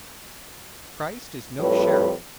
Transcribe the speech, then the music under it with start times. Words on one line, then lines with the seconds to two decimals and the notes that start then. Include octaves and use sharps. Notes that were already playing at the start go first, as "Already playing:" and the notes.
Christ is no sheriff.
1.59 F2 A2 G3 B4 C#5